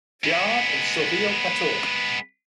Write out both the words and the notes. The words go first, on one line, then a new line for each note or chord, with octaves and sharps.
Theard and Silvio Cator.
G#3 B3